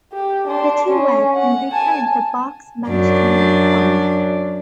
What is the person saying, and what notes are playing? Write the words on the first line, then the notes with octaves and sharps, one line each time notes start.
The two wed and return to Boq's Munchkinland farm.
G4
D4 C6
C#4
F#5
G#5 A5
F#2 D4